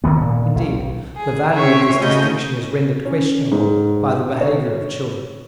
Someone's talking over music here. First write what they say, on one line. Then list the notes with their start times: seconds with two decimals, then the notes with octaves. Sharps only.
Indeed, the value of this distinction is rendered questionable by the behavior of children.
0.04 D3 D#3 F3 B3
0.20 A#2
0.56 B1
1.17 G#4
1.54 C4 C#4 C5 C#5 E5
1.97 C#3 A3 C#4 F#4 D#5 G6
3.05 C#4
3.52 G#2
4.41 C#5